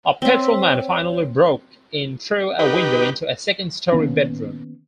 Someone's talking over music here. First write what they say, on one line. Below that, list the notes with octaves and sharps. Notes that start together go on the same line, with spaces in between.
A patrolman finally broke in through a window into a second-story bedroom.
C4 C#5 E5
D#4 G4 B4
D#3 A#3 B3 C#4